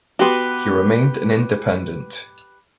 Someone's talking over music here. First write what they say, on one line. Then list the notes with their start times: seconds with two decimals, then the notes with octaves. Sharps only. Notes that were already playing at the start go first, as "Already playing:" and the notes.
He remained an independent.
0.19 B3 F#4 G4 B4 C6